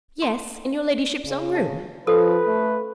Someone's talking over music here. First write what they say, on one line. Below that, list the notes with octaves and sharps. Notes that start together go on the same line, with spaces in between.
"Yes, in your ladyship's own room."
C6
C#3
A5
F3 C#4 A4 B4 D#6
A3